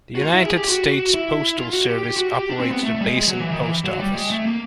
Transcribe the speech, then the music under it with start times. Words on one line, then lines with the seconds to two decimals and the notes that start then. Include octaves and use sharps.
The United States Postal Service operates the Basin Post Office.
0.15 F#4
0.22 F4
0.34 E4
0.46 G#4
0.56 G4
0.68 F#4
1.14 E4
1.59 F4
1.74 F#4
1.88 G4
2.03 G4
2.17 F#4
2.30 G4
2.49 D4
2.60 C4
2.71 B3
2.83 A3
2.95 A3
3.01 G3
3.06 G#3
3.17 G#3
3.28 F#3
3.39 E3
3.51 D#3
3.62 E3
3.84 F#3
4.00 G3
4.15 G#3
4.30 A3
4.46 A#3